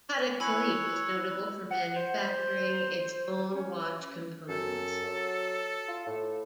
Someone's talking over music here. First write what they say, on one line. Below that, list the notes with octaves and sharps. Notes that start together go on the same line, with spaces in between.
Patek Philippe is notable for manufacturing its own watch components.
E4 C#5 G#5 B5 E6 F#6
F#5
C5
C#4
F#2 A4
F#3
F4
A2